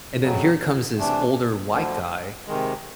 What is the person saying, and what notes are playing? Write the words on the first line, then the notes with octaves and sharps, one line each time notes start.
and then here comes this older white guy
F2 C#3 F#3
C3 E3 A3 D4
D2 D3 F3
C3 D#3 G#3